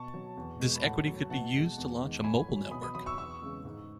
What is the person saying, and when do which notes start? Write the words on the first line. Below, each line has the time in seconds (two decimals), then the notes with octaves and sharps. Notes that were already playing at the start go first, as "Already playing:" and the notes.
This equity could be used to launch a mobile network.
Already playing: B2 A5 C#6
0.14 F#3
0.37 E2
0.60 B2 G#3
0.75 B5
0.84 A2 F#5 A5
1.08 F#3
1.30 B2 F#5 A5
1.54 G#3
1.78 E2
2.01 D#3 G#3
2.24 A2 G#5 B5
2.48 F#3
2.71 B2 B5 D#6
2.83 B5 D#6
2.95 F#3 B5 D#6
3.06 C#6 E6
3.18 E2 C#6 E6
3.42 C#3 E3 G#3
3.65 G#2